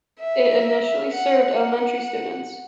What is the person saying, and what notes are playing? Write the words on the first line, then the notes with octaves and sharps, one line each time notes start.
It initially served elementary students.
E5
E5
F#5
F#5
F#5